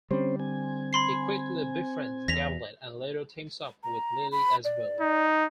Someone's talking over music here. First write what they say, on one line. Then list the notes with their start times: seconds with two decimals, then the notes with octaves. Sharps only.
He quickly befriends Gavlet and later teams up with Lily as well.
0.11 D3 G3 C4 C#4 C5
0.40 C4 G#5
0.93 B5 C6 C7
2.28 E2 A#6 B6 F7
3.83 A#5
4.32 B5
4.65 D5
5.01 D#4